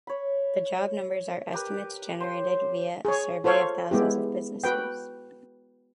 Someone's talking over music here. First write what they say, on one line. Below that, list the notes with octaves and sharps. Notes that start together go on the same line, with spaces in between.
The job numbers are estimates generated via a survey of thousands of businesses.
C#5 B5
G4 A#4 B4
C5 C#5 C6
G#4 C#5
F4 A4 C5 C#5 F5
G#3 B3 E4 G4
F#4 B4 G5